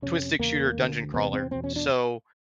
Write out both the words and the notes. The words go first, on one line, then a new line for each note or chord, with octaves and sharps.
twin-stick shooter dungeon crawler, so
F2 C3 C#4
E2 C#3 A#3
D2 D3
E2 C3 B3
C4
E2 B2 C4
C#4
D4